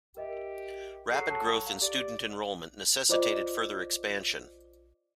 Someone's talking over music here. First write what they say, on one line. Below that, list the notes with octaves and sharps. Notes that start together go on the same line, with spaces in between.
Rapid growth in student enrollment necessitated further expansion.
G4 A#4 D#5 E5
F#3 G#4 A4 C7
A4 A5
F5
G4 D5
F4 C5 D5 D#5 D6